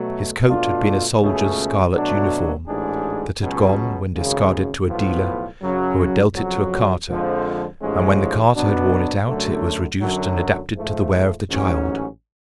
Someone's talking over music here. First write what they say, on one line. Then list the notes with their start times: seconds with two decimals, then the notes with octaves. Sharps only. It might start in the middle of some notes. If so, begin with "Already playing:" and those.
His coat had been a soldier's scarlet uniform, that had gone when discarded to a dealer, who had dealt it to a carter, and when the carter had worn it out it was reduced and adapted to the wear of the child.
Already playing: B2 F#3 A3
0.47 B2 A3 D4 F4
1.19 C#2 B2 A3 C#4 G#4
1.93 B2 F#3 A3 D4 F#4
2.67 A1 G#2 G#3 D4 G#4
3.40 C#2 B2 F#3 C#4
4.14 G#1 F#2 C#3
4.87 B1 A2 F3 B3 F4
5.60 F#2 C#3 F#3 C#4
6.34 F2 C#3 F#3
7.07 F2 D3 F3 G#3
7.80 A1 G#2 F3 G#3 C#4
8.54 B2 F#3 B3 D4
9.27 F#2 D3 F#3 A3
10.01 F#2 D3 F#3
10.74 G#2 F3 A3
11.48 A1 G#2 F#3 C#4